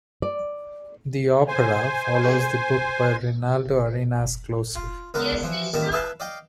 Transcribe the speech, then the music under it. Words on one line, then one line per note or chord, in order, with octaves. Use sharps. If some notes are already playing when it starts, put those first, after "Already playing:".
The opera follows the book by Reinaldo Arenas closely.
D5
C5 G#5
F4
C#2 D3 B3 A#4 D5
E3 F3
A1 A#2 D#3 G3 A#4 A5
E4 B4 E5 F5 A5
D5 D#5 F5 G5